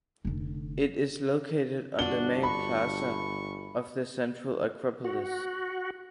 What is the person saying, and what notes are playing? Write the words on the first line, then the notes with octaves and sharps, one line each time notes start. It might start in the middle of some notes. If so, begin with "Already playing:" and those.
It is located on the Main Plaza of the Central Acropolis.
F1 D3
G1 D4 F#4 G7
B5 C#6
F#4